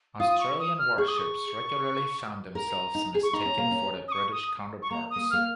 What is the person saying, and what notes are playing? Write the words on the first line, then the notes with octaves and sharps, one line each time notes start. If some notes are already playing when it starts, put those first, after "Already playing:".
Australian warships regularly found themselves mistaken for their British counterparts.
F4 D#6
D#6
C#6
D#6
F6
G#4 C#6
D#6
C#6
A#4 A#5
D#4
G#4
C#6
D#4 A#5
C#4
A#3
C#4
D#6
C#6
D#6
C#6
A#3 A#5
D#6
A#3
A#3 F6